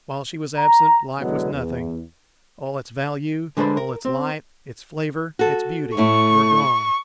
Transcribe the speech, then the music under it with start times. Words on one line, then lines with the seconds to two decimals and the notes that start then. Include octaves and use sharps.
While she was absent, life was nothing; all its value, all its light, its flavor, its beauty, were gone.
0.58 A#5
1.19 B2 D3 E3 F#3 G#3 B3
1.53 E2
3.57 D3 G#3 D4 B4 C5 B5
3.77 A#4
4.05 C4
5.39 F#4 A4
5.97 A2 A3 E4 C#6